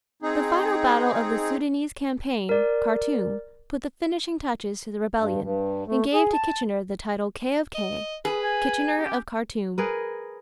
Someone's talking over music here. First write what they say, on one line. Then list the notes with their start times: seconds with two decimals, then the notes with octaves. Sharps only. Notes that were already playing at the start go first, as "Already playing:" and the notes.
The final battle of the Soudanese campaign, Khartoum, put the finishing touches to the rebellion, and gave to Kitchener the title "K. of K."--Kitchener of Khartoum.
0.22 C4 D#4 G#4
2.49 A#4 D5
5.19 G2
5.43 G2
5.88 A3
6.14 G#4
6.33 A5
7.75 D#5
8.25 G#4 B4
8.43 G#5
8.98 C#4 G4
9.78 G#4 A#4 B4